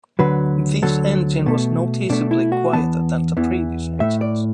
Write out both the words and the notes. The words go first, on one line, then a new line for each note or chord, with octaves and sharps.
This engine was noticeably quieter than the previous engines.
D2 D3 F#3 B4
D2 D3 F#3 A4
B2 A3
B2 A3 D4
E4
F#4
E2 E3 B3 A5
E2 E3 B3
A2 A3 E5
D5